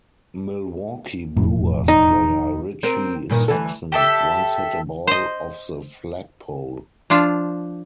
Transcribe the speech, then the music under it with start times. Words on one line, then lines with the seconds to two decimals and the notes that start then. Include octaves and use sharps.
Milwaukee Brewers player Richie Sexson once hit a ball off the flagpole.
1.37 E1 F2 A2
1.88 D#4
2.83 C4 A#4
3.30 G2 A#2 D#3
3.48 D2 E3 A4
3.92 G4 A4 E5
5.07 C5 D#5
7.10 F3 D4 F4